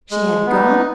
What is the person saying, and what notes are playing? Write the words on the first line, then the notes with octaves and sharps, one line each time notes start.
"She had gone?"
G#3
B3 D#4